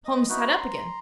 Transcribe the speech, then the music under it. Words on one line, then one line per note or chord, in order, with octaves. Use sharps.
Holmes sat up again.
D#5
D#4 E4 F#4 B4
A#5 C6